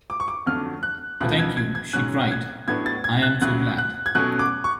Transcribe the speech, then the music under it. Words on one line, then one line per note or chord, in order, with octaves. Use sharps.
Oh thank you! she cried. I am so glad!
D6
C#6
D6
F2 D3 F#3 A3 F6
F#6
D2 C#3 F3 B3 F#6
G#6
G#6
G#6
G#2 F#3 C#4 F#6
G#6
A2 F#3 B3 D4 G#6
A6
G#6
F#6
D2 C#3 F#3 F#6
F#6
G#6
B2 F#3 A3 C#4 F#6
D6
C#6